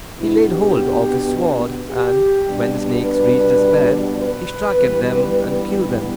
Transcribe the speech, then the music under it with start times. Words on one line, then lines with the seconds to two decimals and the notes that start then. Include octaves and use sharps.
He laid hold of his sword, and when the snakes reached his bed he struck at them and killed them.
0.19 B2 B3 D4 E4
0.47 G4
1.90 G4
2.47 B2 G3 B3 D4
3.05 B4
4.19 B4
4.76 G2 E3 G3 B3